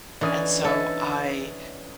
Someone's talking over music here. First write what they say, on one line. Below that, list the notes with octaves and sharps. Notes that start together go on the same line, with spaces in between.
and so, I
D3 E3 C#4 D#4 D5 D#6 D#7
A4 C#5 D#5 E5